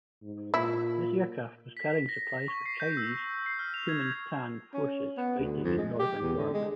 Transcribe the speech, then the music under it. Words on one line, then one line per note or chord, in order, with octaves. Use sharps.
This aircraft was carrying supplies for Chinese Kuomintang forces fighting in northern Burma.
G#2
A#2 E4
B6
A#6
C#6
C7
G6
E6
C7
F6
F7
G#6
C#4
B3
D2
F2
G#3
G4
E2
D3
G#3